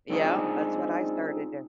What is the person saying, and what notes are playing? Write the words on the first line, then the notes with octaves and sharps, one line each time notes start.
Yup, that's what I started to
G#3 C4 D4 D#4 F4 G#4